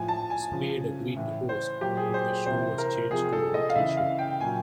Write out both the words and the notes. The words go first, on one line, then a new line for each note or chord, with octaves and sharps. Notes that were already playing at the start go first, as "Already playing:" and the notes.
Spade agreed to host if the show was changed to a weekly show.
Already playing: A2 F3 G#5
A5
G#5
C#3 F3
A2 E3
C5
A#2 F#3 G4
G#4
C5
C3 E3 C5
A#4
C3 F3 G#4
A4
D#5
F5
C#3 E3 E5
F5
G5
A#2 F#3 G#5